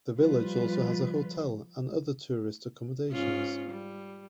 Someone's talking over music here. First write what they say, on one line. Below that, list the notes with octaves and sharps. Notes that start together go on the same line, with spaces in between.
The village also has a hotel and other tourist accommodations.
F3 G3 F4 B4
G#2 C#4 F4
G3